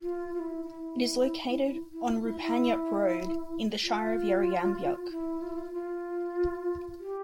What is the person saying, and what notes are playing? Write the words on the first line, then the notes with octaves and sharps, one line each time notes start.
It is located on Rupanyup Road in the Shire of Yarriambiack.
F4
F4
E4
E4
E4
F4
E4
E4
F4
E4
F4
E4
F4
F4
G4